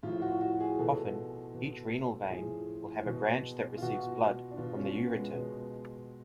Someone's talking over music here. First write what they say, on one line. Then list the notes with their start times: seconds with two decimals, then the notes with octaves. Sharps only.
Often, each renal vein will have a branch that receives blood from the ureter.
0.03 A2 F3 F4
0.22 F#4
0.41 F#4
0.60 G#4
0.79 B2 A4
1.54 B2
2.30 A2 F3 G#4
3.06 B2
3.77 F4
3.82 B2 F#4
4.51 D4
4.57 B2 F4
4.76 C#4
4.95 B3
5.15 G#3
5.34 B2